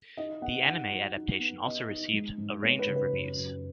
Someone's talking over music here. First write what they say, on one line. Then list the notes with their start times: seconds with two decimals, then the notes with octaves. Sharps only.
The anime adaptation also received a range of reviews.
0.17 D#4 D#5
0.42 B3 F#5
0.66 D#4 F#5
0.91 F#3
1.16 D#4
1.40 B3
1.65 B3 D#5
1.89 D#4
2.13 G#3
2.38 G#2
2.62 B3 C#5
2.79 B4
2.87 C#3
2.96 B4
3.12 F#2
3.36 F#2